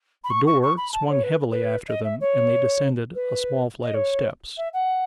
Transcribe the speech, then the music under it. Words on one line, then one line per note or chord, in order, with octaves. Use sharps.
The door swung heavily after them, and they descended a small flight of steps.
B5
C#6
C#6
C#6
B5
A5
C#5
B4
B4
D#5
E5
C#5
B4
D#5
C#5
E5
F#5